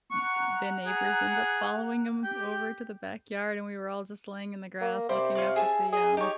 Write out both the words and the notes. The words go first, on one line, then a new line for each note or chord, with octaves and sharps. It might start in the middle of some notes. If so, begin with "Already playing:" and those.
you the neighbors end up following him over to the backyard, and we were all just laying in the grass looking up at the, um,
F#5 A#5 C#6 F#6
G#4
G4 G5
A#3
C3 C5 D5 B5
F4 C#5 D5
G#4 E5 A5
G#4 D#5 A#5
D#4 G4 C#5